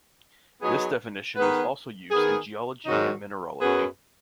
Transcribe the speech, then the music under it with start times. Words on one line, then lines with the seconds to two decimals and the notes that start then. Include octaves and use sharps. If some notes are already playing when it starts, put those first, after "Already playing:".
This definition is also used in geology and mineralogy.
0.62 F#3 B3 D#4 G#4
1.36 D#3 B3 G#4 B4
2.11 D#3 B3 G#4
2.86 G#2 D#3 F#3 D#4 F#4
3.59 F#2 F#3 B3 G#4 B4